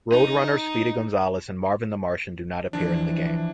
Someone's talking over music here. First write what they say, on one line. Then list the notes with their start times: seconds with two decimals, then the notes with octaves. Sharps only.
Road Runner, Speedy Gonzales and Marvin the Martian do not appear in the game.
0.13 D#4
2.73 E3 F3 D4